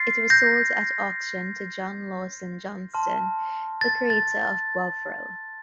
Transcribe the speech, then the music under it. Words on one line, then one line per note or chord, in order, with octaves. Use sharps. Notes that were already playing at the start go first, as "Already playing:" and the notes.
It was sold at auction to John Lawson Johnston, the creator of Bovril.
Already playing: C6 F6 A6 C7
G6 A#6
A5 C6 F6
A6
A6